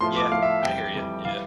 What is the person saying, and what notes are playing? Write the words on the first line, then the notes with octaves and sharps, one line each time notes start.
Yeah, I hear you, yeah.
A2 F3 A3 C6
D6
A2 F3 A3 F5
E5
F2 E3 G3 G5
F2 E3 G3
E3 G3 F5